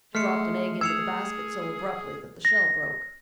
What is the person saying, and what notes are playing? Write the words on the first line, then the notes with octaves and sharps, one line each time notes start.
She dropped an egg into the basket so abruptly that the shell broke.
G#3 A3 F6 C7 C#7
G#4 E6 G#6 C#7 F7
A#6